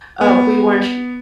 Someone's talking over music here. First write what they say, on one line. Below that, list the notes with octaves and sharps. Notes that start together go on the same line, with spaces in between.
uh, we weren't
B3